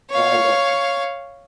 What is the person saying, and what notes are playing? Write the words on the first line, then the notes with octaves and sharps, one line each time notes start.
Yeah I will tha
C#5 F5